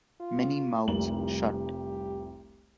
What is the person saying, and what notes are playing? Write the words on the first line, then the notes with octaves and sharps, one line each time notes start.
Many Mouths Shut!
F4
F1 C2 G4 F#7